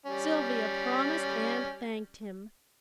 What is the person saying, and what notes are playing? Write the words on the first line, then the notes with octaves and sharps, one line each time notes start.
Sylvia promised and thanked him.
G3 C#4